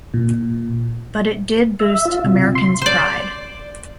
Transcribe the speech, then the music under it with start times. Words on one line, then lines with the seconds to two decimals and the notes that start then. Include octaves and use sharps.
But it did boost Americans pride.
0.14 A#2
1.80 E5
2.05 F4
2.24 C3
2.55 C6
2.82 C5 D5